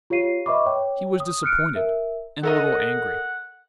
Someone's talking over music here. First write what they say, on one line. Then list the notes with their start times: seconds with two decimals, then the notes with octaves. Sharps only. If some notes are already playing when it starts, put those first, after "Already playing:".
He was disappointed, and a little angry.
0.10 F4 G4 C#5 F5 C7 D#7
0.46 B4 D#5 E5 B5 C#6 D6
0.66 C#5 G5
1.20 D#6
1.43 F6 F#6 C#7 D7
1.76 A#4 E5
2.43 A4 A#4 D#5 F#5